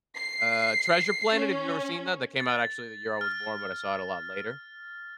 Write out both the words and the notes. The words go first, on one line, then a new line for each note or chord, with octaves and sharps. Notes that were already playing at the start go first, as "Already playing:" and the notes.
Uh, Treasure Planet, have you ever seen that? That came out, actually, the year I was born, but I saw it a lot later.
C7
C#4
A6
F6